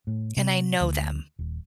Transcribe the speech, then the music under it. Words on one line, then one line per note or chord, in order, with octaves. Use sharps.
and I know them,
A2
C3
D2
D#1